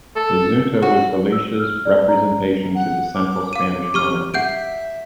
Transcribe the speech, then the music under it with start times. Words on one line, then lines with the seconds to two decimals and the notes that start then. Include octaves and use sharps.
The Xunta was Galicia's representation to the central Spanish monarchy.
0.16 A4
0.82 F#4
1.32 E6
1.59 F6
1.85 D5
2.08 A#5
2.75 F#5
3.14 D6
3.53 F5 D6 D#7
3.94 G4 C#6 F6
4.34 E5 F#5 G6 D7